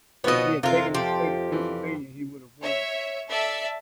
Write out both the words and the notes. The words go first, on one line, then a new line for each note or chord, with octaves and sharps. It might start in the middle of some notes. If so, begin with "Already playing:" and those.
If he had taken the state of Pennsylvania he would have won.
B2 F3 B3 C#5 D#5
F2 C3 F4 A#4
F3 G4
E3
C#5 E5
A4 D5 E5 A5 E6